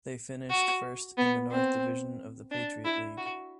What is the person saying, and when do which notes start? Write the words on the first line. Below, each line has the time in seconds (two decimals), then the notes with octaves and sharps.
They finished first in the north division of the Patriot League.
0.50 F#4
1.18 B3
1.51 C4
2.51 D4
2.84 E4
3.17 F#4